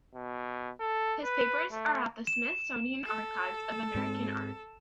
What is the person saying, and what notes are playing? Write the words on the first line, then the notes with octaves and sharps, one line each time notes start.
His papers are at the Smithsonian Archives of American Art.
B2
A4
B4
A3
E7
A4
G#2 G#3 C4